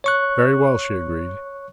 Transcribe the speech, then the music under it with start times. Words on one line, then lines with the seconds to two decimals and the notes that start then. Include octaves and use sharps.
"Very well," she agreed.
0.04 C#5 C#6 F#6